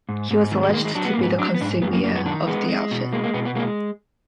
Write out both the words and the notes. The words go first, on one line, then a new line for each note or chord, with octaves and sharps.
He was alleged to be the Consigliere of the Outfit.
G#2
G#2
D#3
G#3
B3
G#3 A#3
G#3
F#3 D4
B3
A#3
G#2 B3
F#3 D4
B3
G#2 D4
F#2 B3
A#3
F#2 A#3
B3
D#3 D4
G#3 B3
G#3
B2
G#3 A#3
A#3
B2 B3
B3
G#3 A#3